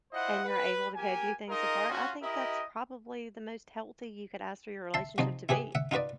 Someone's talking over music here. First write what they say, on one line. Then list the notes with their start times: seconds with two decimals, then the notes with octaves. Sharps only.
and you're able to go do things apart, I think that's probably the most healthy you could ask for your relationship to be.
0.12 E4 F4 C5 D#5 F#5
0.45 B4
0.96 A#3 G4 G#5
1.48 D#4 F4 G#4 A#4 D#5
1.89 C#4 F4 F#4
2.22 E4 G4 A#4 D#5
4.94 E5 A5 C6
5.18 C3 F3 F#3 D#4
5.49 E4 G4 G#4 B4
5.75 E5 F#5
5.91 D#4 F4 F#4 B4 D5